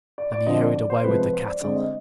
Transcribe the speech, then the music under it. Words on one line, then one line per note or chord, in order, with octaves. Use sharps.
Then he hurried away with the cattle.
D5
D5
D3 F3 C4 D#5
D5
D5
C5
C3 F3 G#3 C4 B4
B4
C5
D5
D3 G#3 C4 D5
D#5